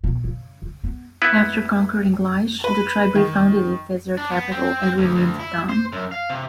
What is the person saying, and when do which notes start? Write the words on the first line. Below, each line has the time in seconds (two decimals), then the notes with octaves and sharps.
After conquering Laish, the tribe refounded it as their capital and renamed it Dan.
0.04 B2
0.24 C#3
0.62 C#3
0.84 B3
1.22 B3 E4 B4
2.64 B4
3.15 D#3
4.17 D4
4.31 B3
4.52 C4
4.98 D2
5.15 D2
5.40 E4
5.69 C5
5.93 F#2
6.12 F5
6.29 C3